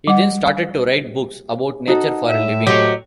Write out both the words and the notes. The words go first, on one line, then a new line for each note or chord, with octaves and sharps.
He then started to write books about nature for a living.
G3 F#5
D#4 F#4 A4
A2 E5
F#3 G4 C5 D#5